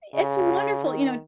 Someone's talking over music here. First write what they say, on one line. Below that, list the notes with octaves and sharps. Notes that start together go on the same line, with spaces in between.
It's wonderful, you know,
C#3
D#3